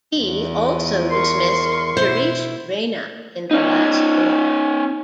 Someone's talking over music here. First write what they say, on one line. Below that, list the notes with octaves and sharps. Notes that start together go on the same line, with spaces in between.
He also dismissed Suresh Raina in the last over.
E2
A#4 C6 C#6
B2 E4 C5
C#4 D#4